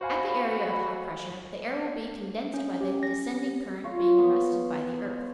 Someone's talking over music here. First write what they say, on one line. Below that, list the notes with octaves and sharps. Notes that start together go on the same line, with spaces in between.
At the area of high pressure the air will be condensed by the descending current being arrested by the earth.
F#4 C5 F5 G#5 B5
C#4
G4
A#6
F4 C#5
B3